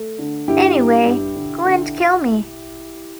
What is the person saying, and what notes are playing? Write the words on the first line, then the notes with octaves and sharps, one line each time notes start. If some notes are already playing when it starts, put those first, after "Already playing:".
Anyway, Gwen'd kill me.
Already playing: A3
D3
G2 E4 G4
G2
G2
D3
D3